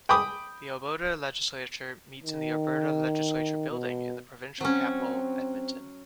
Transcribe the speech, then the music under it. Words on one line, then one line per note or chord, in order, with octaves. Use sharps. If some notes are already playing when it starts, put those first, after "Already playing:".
The Alberta legislature meets in the Alberta Legislature Building in the provincial capital, Edmonton.
G5 B5 D6 D#6
D#3
B2
F#3 C4 C#4